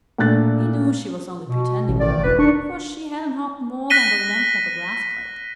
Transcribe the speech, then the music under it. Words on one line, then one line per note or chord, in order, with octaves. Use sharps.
He knew she was only pretending, though, for she hadn't hopped more than the length of a grass-blade.
A#2 A3 D4 F#6 A6
B2
A1
D#3 A3 D5
E1 B4
D4 D#4 A#4 C#6
F#6 A#6 B6 D#7 G7